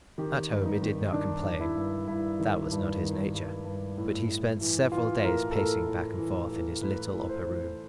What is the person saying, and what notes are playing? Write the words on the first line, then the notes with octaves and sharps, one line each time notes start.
At home he did not complain--that was not his nature--but he spent several days pacing back and forth in his little upper room.
D#3 G4
G2
D#4
D#3
D#3 D4
D#3
E4
G2
G2 E4
D#3
G2
D#3
G2
G2
A2
A2
E3
E3 F4
A2 A#4
A4
A2 A#4
A2
E3
E3
A2 B4
A2
C5
E3